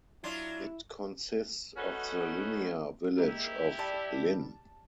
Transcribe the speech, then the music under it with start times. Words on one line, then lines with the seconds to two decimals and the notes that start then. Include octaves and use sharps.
It consists of the linear village of Linn.
0.24 F#3 D4 E4 F4
1.77 A3 B3 C#4 D#4 F#4 A4
3.18 G#3 A#3 E4 G4 E5
3.79 G3 A5